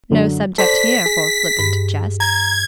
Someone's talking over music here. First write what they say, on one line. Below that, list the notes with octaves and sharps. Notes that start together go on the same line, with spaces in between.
No subject here for flippant jest.
F#2 D3 F#3
A4 C5 D5 B6
G#4
G2
A#5 G#6